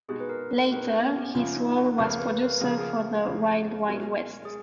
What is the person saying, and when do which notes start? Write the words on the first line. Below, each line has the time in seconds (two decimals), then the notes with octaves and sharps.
Later his role was producer for "The Wild Wild West".
0.08 B2 G#3 D#4 F#4 G#4
0.20 B4
0.29 A#4
0.51 A#4
0.71 B2 G#3 D#4 F#4 B4
0.88 A#4
1.03 B3
1.19 C#4
1.35 C#2 C#3 F3 A#3 F4
1.56 D#4
1.77 B4
1.98 C#2 C#3 F3 A#3 A#4
2.19 B4
2.32 B4
2.41 A#4
2.61 C#2 C#3 F3 A#3 G#4
2.69 A#4
2.78 G#4
3.25 C#2 C#3 F3 A#3
3.87 B2 F#3 C#4 F#4 A#4
4.45 G#4